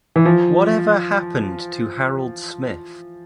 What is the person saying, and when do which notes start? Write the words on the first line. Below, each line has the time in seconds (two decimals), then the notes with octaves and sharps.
Whatever Happened to Harold Smith?
0.16 E3
0.26 F3